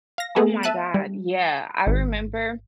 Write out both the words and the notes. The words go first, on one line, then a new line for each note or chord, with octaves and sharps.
Oh my god, yeah, I remember
F5 A#6
A3 B3 G#4 A4
E5 A5 F#6 D#7
G3
G#1